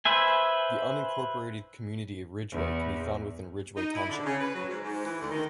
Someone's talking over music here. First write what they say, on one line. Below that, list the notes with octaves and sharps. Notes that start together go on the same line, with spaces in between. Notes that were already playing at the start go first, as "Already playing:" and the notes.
The unincorporated community of Ridgeway can be found within Ridgeway Township.
B4 C5 E5 G#5
E2
D#4
E4
D3
C#3
B4
F#3
G#2
G#2
E3
D2
D#3